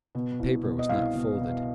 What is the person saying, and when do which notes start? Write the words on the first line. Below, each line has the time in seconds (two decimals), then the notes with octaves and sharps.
The paper was not folded.
0.15 B2
0.39 C2
0.64 B2
0.79 D#5
0.89 C2 F5
1.15 B2
1.39 B2